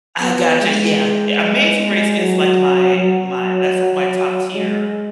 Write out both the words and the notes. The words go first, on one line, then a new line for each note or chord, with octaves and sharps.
I gotcha, yeah, eh, Amazing Race is like my my that's like my top tier
B3
G#3
F#3
F#3
G#3